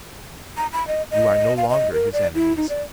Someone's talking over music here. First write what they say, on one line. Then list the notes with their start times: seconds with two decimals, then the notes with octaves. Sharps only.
You are no longer his enemies.
0.57 A#5
0.73 B5
0.88 D#5
1.11 D#5
1.57 F5
1.70 D#5
1.93 A#4
2.13 D5
2.35 E4
2.57 D#4
2.69 D5